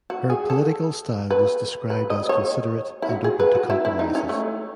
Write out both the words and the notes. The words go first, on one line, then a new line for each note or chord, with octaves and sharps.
Her political style was described as considerate and open to compromises.
F#4
G#4
A4
B4
B4
D#5
C#5
E4
F#4
G#4
B4
F#4
E4
E4
D#4
C#4
A3